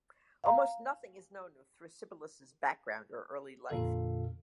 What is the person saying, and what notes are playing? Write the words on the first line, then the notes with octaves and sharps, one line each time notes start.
Almost nothing is known of Thrasybulus's background or early life.
F5 A#5
F2 A#2 D3 A4 F5